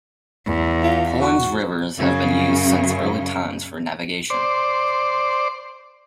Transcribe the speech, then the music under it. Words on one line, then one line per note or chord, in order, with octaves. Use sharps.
Poland's rivers have been used since early times for navigation.
E2
F4
F#4
F#2 C#3
C5 D5